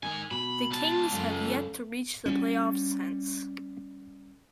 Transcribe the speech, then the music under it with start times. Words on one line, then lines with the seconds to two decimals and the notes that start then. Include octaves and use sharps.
The Kings have yet to reach the playoffs since.
0.03 G#2 D#3 G#5
0.31 B2 B5
0.71 C#2 A5
1.12 F#2 A3 F5
2.26 G3 C#4